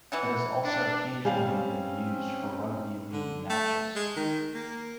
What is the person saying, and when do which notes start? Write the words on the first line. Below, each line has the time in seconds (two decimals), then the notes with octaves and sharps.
It has also occasionally been used for rugby league matches.
0.12 E3 E5 F#5
0.64 D4
1.25 G3 C4 C#4 F5 G#5
3.13 D3
3.50 A3
3.96 G#3
4.17 D#3
4.55 A#3